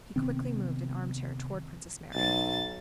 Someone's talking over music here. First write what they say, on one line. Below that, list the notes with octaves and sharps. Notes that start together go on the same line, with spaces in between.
He quickly moved an armchair toward Princess Mary.
C3 D#3 B3 C4
B1 A6